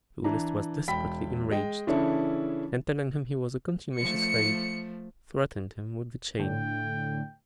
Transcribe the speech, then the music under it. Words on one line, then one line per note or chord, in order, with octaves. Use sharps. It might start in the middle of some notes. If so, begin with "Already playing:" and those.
Mr. Willis was desperately enraged, and, telling him he was a contumacious slave, threatened him with the chain.
E3 D4 A#5
E1 G5 B5 B6
G#3 D#5 G5
C#3 E3 C#4 D4 E4 A4
F3 A3 C#7
A2 D3 A3 G5